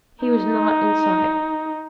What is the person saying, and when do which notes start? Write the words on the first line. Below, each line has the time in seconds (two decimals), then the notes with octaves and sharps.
He was not in sight.
0.24 D#4